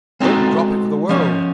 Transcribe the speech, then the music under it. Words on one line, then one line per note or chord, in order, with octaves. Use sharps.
"Don't drop it for the world."
G#3 C4 D#4 F#4 A4 D#5
F3 C#4